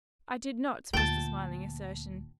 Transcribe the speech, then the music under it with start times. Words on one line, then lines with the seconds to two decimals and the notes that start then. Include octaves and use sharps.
"I did not," was the smiling assertion.
0.93 D2 A#2 G5 A5